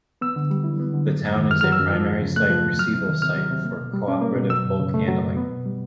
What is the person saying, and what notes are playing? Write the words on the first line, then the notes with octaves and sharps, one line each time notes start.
The town is a primary site receival site for Cooperative Bulk Handling.
B3 E6
D3
G3
E4
B3
D3
F#3
F#2
D#3
F#2 F6
F6
F#3
E6
F#2
F3
D#2
C#3
A3 F#6
F3
D#2
F#3 F6
C3
D#3
C3 F6
F#3
C3
A#3
B2
G3
C#4
A#3
B2
F#3 E6
F#2
C#3
A3
F#3
F#2
B3
B2
G3